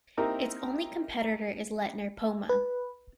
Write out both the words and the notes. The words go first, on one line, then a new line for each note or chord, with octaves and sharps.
Its only competitor is Leitner-Poma.
A#3 C4 D#4 E4 G4 A#4
B4